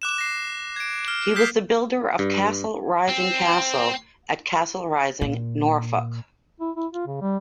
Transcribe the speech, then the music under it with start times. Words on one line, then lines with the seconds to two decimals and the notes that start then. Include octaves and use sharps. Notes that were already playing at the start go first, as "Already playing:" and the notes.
He was the builder of Castle Rising Castle at Castle Rising, Norfolk.
0.02 D6 F#6 E7
0.18 A#6 C7
0.76 G#6 D7
1.08 F6
1.35 D#6 F6 G6 B6 C7
2.19 G2
3.09 C4
5.21 A#2
6.60 E4
6.76 E4
6.93 F4
7.07 C#3
7.21 G3